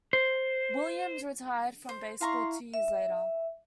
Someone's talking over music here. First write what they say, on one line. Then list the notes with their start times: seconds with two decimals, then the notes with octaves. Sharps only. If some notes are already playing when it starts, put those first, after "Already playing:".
Williams retired from baseball two years later.
0.13 C5
1.89 C5
2.21 E4 F5 A#5 C6 C#6
2.74 E5